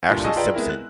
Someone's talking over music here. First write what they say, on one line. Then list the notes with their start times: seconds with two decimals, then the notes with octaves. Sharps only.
Ashley Simpson.
0.09 G2 A#2 D3 D4 E4 F4
0.24 G#4 D#5 G#5 A5 C#6 E6
0.36 F4 G#4 B4 D5 G5 A#5
0.55 G#3 B3 C4 E4 A#4
0.70 F#6